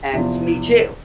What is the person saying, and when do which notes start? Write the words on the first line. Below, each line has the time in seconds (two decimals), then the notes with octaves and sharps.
and me too!
0.13 E2 C3 F3